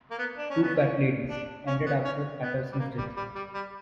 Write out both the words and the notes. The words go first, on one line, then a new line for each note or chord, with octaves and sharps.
"Two Fat Ladies" ended after Paterson's death.
A#3
B3
D4
C#4
B3
C#4
D4
C#4
B3
C#4
B3
G3
A#3
G3
G3
G3
G3